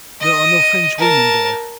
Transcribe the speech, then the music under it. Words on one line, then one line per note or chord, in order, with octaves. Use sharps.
There are no French women there.
D#5 D#6
A#4 A5